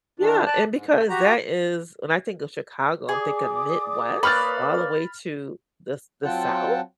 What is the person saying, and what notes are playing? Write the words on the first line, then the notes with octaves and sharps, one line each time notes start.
Yeah, and because that is when I think of Chicago, I'm thinking Midwest all the way to the s the South?
D#3 E3 D4
D5 A5 F#6
G#2
C#3 A3
F#4 G4 A#5
G#4 D5 D6 D#6
A#3 B4 C#5 B5 F6 A6
F#3 C4 F4 F#5 G5 A5